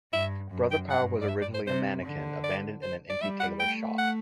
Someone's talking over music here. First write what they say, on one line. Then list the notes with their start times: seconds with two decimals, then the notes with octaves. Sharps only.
Brother Power was originally a mannequin abandoned in an empty tailor's shop.
0.13 G2 E5
0.51 F#2
0.71 G5
0.90 G2 F#5
1.21 D5
1.29 E5
1.42 D5
1.54 C5
1.67 C3 C5
2.05 D3
2.44 D5
2.82 C5
3.10 D5
3.21 G3 E5
3.40 F#5
3.60 A3 G5
3.98 F#5